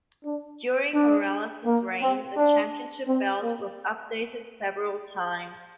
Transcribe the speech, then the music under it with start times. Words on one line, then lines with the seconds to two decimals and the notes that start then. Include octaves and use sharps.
During Morales's reign, the championship belt was updated several times.
0.24 D4
0.95 D4
1.66 A#3
2.02 C4
2.37 D4
3.08 C4
3.42 A#3